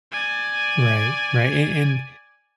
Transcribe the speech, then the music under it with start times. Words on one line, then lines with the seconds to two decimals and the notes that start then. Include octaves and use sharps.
Right, right, and and
0.12 D5 G#5